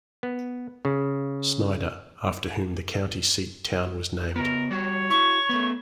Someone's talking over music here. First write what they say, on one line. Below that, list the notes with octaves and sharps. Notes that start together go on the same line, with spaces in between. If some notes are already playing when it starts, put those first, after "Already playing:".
Snyder, after whom the county seat town was named.
B3
C#3
C#3 B3 A#4
G3 F#4 C#5
E4 F#4 C#6
A3 B3